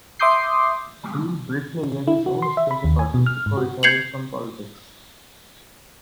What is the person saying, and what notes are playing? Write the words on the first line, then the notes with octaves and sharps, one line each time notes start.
He briefly led his own splinter party before retiring from politics.
E5 C6 D6 D#6 G6 C7
E4
F#4
C6
E5
B5
D#2
G#5
B2
F6
G#2
F#4
G6 G#6 C7 C#7 F7 F#7